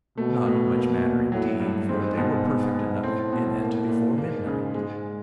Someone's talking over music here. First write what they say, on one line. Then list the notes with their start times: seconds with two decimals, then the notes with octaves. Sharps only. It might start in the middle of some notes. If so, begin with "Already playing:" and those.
Not much matter indeed, for they were perfect enough in it before midnight.
0.18 B2 A3
0.46 A2
0.75 A#3
1.03 A#2
1.32 A2 F#3
1.60 G2
1.89 G#2 C4
2.17 B2
2.46 B3
2.75 B2
3.03 A2 C4
3.33 B2
3.61 A#3
3.89 A#2
4.18 G#2 A#3
4.47 C#3
4.75 G#3